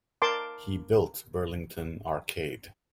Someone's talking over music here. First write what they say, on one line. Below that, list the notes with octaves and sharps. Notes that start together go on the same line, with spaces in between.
He built Burlington Arcade.
A#4 A5 C6 D6